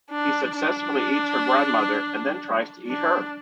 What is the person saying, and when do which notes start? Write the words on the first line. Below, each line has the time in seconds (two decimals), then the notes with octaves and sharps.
He successfully eats her grandmother, and then tries to eat her.
0.10 D4
0.56 D4
2.87 D4